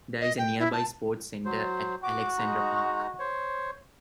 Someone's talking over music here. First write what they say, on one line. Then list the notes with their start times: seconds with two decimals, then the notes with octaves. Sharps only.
There is a nearby sports centre at Alexandra Park.
0.21 D#5
0.38 G5
0.59 E4
0.72 A5
1.45 F#3 C5
2.04 F#4 D6
2.38 G#3 D#4 A#5
3.19 C5 C#5